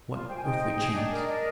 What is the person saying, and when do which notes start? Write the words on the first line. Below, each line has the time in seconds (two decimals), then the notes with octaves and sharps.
What earthly chance?
0.10 F4
0.27 C5 G5
0.36 G#5
0.43 D#4 D#5 G5
0.61 D#4
0.77 G#4
0.94 D4 D#5
1.10 A#4
1.27 D4 D#5